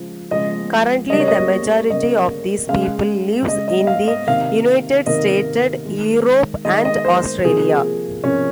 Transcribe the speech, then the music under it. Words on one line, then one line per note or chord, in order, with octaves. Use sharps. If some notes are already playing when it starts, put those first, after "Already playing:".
Currently, the majority of these people lives in the United Stated, Europe, and Australia.
Already playing: C#3 F3 G#3
C#3 F3 G#3 D#5
C#3 G3 A#3 D#5
C#5
D#5
C#3 G3 A#3 D#5
C#3 G#3 F5
C#3 G#3 D#5
D#5
D#5
F5
D#5
C3 D#3 A#3 F5
C3 D#3 A#3 D#5
D#3 G#3
D#3 G#3 D#5
D#5
C5
C3 F3 A#3 G#4
C3 F3 A#3 C#4